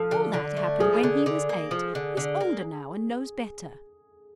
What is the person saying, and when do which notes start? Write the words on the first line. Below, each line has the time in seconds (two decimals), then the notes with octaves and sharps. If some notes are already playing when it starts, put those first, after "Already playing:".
"All that happened when he was eight; he's older now and knows better."
Already playing: F3 A4
0.11 D3
0.34 D3
0.57 A3
0.80 F3 G#4
1.03 D3
1.26 D3
1.49 A#3
1.71 F3
1.95 D3
2.17 D3
2.41 A#3